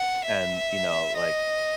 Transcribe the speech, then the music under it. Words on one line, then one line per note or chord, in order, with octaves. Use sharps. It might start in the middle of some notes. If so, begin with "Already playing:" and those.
and, you know, like,
Already playing: F#5
E5
D#5